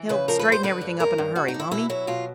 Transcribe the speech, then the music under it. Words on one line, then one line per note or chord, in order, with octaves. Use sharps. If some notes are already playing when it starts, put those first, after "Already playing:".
"He'll straighten everything up in a hurry, won't he?"
Already playing: E3
C#3 B4
F3 A#4
B4
G2
C5
D3 B4
G2
G2 A#4
G2
G2 F#4
D#4
D3
E4
B2 E4
F#3 E4
B2 F4